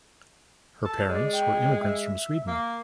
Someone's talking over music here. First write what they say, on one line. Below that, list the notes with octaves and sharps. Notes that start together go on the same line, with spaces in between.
Her parents were immigrants from Sweden.
A4
G#3 D5
G5
E5
A#3